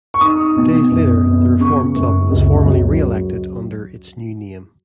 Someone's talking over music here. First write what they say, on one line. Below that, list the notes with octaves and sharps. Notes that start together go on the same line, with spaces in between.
Days later the reformed club was formally re-elected under its new name.
C#6
D#4 D#6
B2
F#2
B3
C#3 C#6
F#2
C#2
F#3